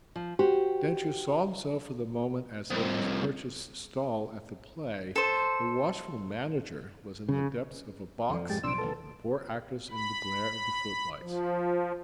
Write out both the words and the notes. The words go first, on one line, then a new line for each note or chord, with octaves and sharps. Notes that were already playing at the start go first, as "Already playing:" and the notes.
Densher saw himself for the moment as in his purchased stall at the play; the watchful manager was in the depths of a box and the poor actress in the glare of the footlights.
F3
F#4 G4 C5
C2 F2
A4 C5
C#3
F2 E3 F3 A4 D5
G#2 G#3 G4 A6
B1 A2 C3 F3 D4 C6 E6 D7
D1 A1 B2 A4 B4
B5
F3